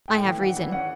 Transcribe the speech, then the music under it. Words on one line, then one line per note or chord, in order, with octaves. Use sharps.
I have reason.'
A2 G5
E3
D4 F#5
E3
C#4 F#5